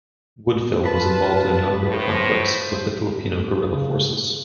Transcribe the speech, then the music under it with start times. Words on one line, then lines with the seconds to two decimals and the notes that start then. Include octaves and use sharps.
Woodfill was involved in a number of conflicts with the Filipino guerrilla forces.
0.85 F4 B4 A5
1.88 A2 F4 A4 C5
3.68 C#3